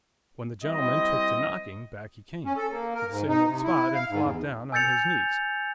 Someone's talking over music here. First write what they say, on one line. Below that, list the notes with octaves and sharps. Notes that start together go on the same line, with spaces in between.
When the gentleman took to knocking, back he came,--to the same old spot, and flopped down on his knees.
G3 C4 E4 D#5
C#4
A4
A#3
A#4
G#2
D#4
C3
E4
F5
G#2
E2
G#5 E6 G6 A6 C#7 F7